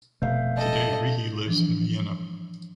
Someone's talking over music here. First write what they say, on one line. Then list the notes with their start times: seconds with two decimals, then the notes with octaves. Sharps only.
Today, Rehe lives in Vienna.
0.22 F1 B2 A3 E5 F5 G6
0.56 A4 D#5
1.46 E3 F3 D4